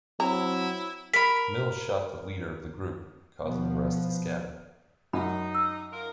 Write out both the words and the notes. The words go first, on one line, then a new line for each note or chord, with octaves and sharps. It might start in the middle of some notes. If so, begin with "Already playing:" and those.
Mills shot the leader of the group, causing the rest to scatter.
F#3 C4 E4 A#5
A#4 B5 B6
B2 F3 B3
F#2 D#4 B5
E6
D#4 F4 A#4